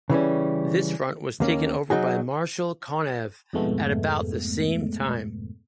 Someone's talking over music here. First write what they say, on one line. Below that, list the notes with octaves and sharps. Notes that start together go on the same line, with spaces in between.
This Front was taken over by Marshal Konev at about the same time.
C#3 E3 G3 C#4
D#2 A#3 C#4
F#3 D#4 F#4 G#4
F2 G#2 B2 G#3 A3 B3